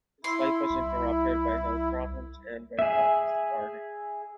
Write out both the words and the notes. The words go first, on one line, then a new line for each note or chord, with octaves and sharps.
His life was interrupted by health problems, and by travels to art exhibitions.
E4 C6
C2
G#4 E5